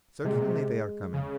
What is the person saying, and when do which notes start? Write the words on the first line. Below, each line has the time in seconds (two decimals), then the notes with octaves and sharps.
Certainly, they are coming.
0.24 C3 G#3
0.33 A#2
0.41 C3
1.13 C#3